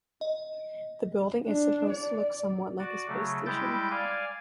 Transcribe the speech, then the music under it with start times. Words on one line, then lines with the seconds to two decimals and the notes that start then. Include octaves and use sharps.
The building is supposed to look somewhat like a space station.
0.21 D#5
1.46 D4
1.90 D5
2.79 F#4 D5
3.08 C#3 F#3 A3
3.46 G3 G#3 E4 G5 G6 A6
3.91 D5 F5 G#5